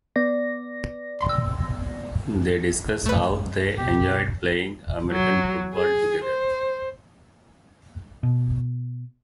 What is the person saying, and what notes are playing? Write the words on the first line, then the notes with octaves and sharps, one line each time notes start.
They discuss how they enjoyed playing American football together.
B3 D5 A#6
A3 B4
C#2 B2 G4
F#3
G#4
C5
B2